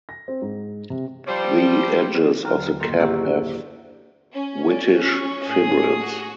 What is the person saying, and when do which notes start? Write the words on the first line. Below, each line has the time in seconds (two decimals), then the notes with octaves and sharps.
The edges of the cap have whitish fibrils.
0.09 A#6
0.28 C4
0.41 G#2
0.90 C3
1.27 F3 G3 C5
2.45 D#2 D3 F#3 A#5 F6
2.80 F#2 A2 D#3 A#3 C6
3.00 A#3 C#4 E4 G4 G#4 F#5
4.34 C#4
4.70 D5
5.05 C#6
5.46 A2 G#4 D#6
5.98 F#4